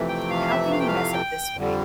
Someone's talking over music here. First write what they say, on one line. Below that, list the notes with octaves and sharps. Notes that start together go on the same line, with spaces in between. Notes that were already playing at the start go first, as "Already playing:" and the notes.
How can you mess up this way?
Already playing: F2 C3 E3 A3
G5
F5
E5
F5
G5
F5
G5
F2 D3 G3